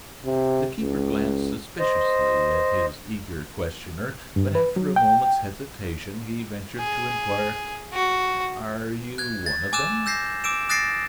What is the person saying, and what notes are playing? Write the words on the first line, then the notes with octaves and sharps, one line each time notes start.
The keeper glanced suspiciously at his eager questioner, but after a moment's hesitation, he ventured to inquire: "Are you one of them?"
C3
C#2
C5 D#5
G2
B4
F#3
G5
G#4
F#4
F#6 G#6
A6
G#5 D6 E6 F#6 E7
E6 G6 A#6 C7
D6 E6 D7 E7
D#6 F#6 A6 A#6 C7 D7